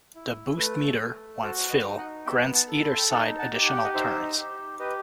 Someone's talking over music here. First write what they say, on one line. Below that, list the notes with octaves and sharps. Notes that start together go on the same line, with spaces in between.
The Boost meter, once filled, grants either side additional turns.
E4
A3 B4
A3
F#4 A4 C5
B4 D#5
D#4
D#5 F#5
B3 E5 G5
F#5 A5
A4
B5
C6
G5 B5
D#4 F#5 A5
F#5 A5
G4
F#5
G5
D#5 F#5
D#4 C5 E5
G4
G4 B4 D#5